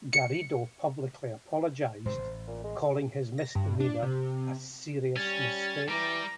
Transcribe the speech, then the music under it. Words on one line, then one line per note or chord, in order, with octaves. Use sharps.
Garrido publicly apologized, calling his misdemeanor a "serious mistake".
C#7
G#2 C3 D#3 C5
A1
A#2
G#3
A#6
G2
D4
C3
G3 C#4 A6
E3 G3 A#5 D6